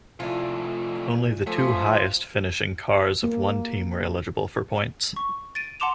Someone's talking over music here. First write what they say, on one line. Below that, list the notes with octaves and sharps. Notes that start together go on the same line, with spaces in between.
Only the two highest finishing cars of one team were eligible for points.
C3 F3 A3 E4 F4 D5 G#5
F3 A3 E5 G#5
A#3
C#6
A6 D7 D#7
F#5 A5 C6 D6 E7 F7